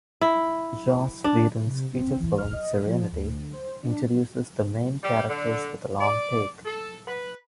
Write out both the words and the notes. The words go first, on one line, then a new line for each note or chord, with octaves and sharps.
Joss Whedon's feature film "Serenity" introduces the main characters with a long take.
E4
D4
C3
C4
E3
F6
D#5
F3
D2
C5
D4
G3
D3
D5
A4
B4